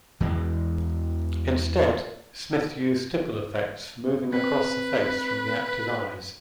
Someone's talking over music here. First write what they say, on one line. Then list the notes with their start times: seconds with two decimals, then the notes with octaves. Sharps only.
Instead, Smith used stipple effects moving across the face from the actor's eyes.
0.20 E2 E3 G#3
4.33 C4 B4